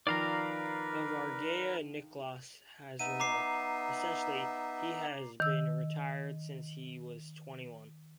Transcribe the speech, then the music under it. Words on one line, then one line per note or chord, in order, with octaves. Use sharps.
Of Argea, Nicklaus has remarked, Essentially, he has been retired since he was twenty-one.
D#3 F3 A#4 B4 D5 F5 A#5
B3 D#4 E5 D#7
A#5 D6 C7
D#3 E6